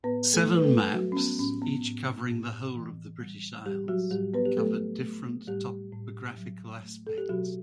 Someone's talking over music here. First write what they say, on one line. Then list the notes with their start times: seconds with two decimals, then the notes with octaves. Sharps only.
Seven maps, each covering the whole of the British Isles, covered different topographical aspects.
0.03 A2 B3 B4
0.33 A3 A4
0.49 G3
0.56 B4
0.64 A3 A4
0.94 F#3 G3 F#4
1.12 C#4
1.17 B3
1.39 A2 C#4
1.62 B3
1.84 A2
2.30 A2
2.75 E3
3.20 G3
3.66 A2 G3 G4
3.88 F#3 F#4
4.11 A2 G3 G4
4.34 B3 B4
4.45 G4
4.57 F#3 A3 A4
5.02 A3
5.47 A2 G3 G4
5.92 A2
6.38 F#3
6.83 A3
7.07 A4
7.18 G4
7.29 B2 F#3 F#4